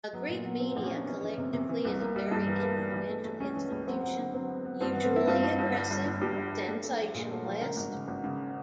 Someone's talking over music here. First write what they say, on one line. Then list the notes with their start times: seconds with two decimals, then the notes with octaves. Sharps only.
The Greek media, collectively, is a very influential institution - usually aggressive, sensationalist.
0.13 F#3 B3
0.28 A#2
0.44 F#3
0.60 F#3 C4
0.72 C4
0.76 A#1
0.84 C#4
0.91 A#1 D4
1.06 E3 C#4
1.23 E3
1.38 C3
1.53 C3
1.69 E3
1.85 C2
2.00 A#3
2.16 G3
2.31 G2
2.47 E3
2.63 A#3
2.78 E3
2.94 E3
3.09 A3
3.25 A3
3.40 C#2 C#4
3.55 E3
3.72 C#2
3.87 F#3 C4
4.03 F#3
4.18 D3
4.34 F#3 C4
4.49 B3
4.65 B3
4.81 G2 C4
4.92 B3
4.96 E3
5.04 C4
5.12 E3 E4
5.27 G2 F4
5.43 G2
5.58 G2
5.74 G1
5.90 G1
6.05 G2
6.21 G2 G4
6.37 G1
6.52 G1
6.68 A3
6.83 A3
6.99 F3
7.14 A#2 G#4
7.31 A3
7.45 F3
7.61 C#3 A#4
7.76 G#1
7.92 C#3
8.08 G#1
8.24 C#3